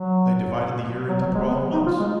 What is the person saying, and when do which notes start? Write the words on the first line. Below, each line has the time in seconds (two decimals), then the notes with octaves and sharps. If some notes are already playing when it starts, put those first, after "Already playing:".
They divided the year into twelve months.
Already playing: F#3
1.09 F#3
1.21 F#3
1.35 G#3
1.47 B3
1.73 D#4
1.86 F4
2.00 G#3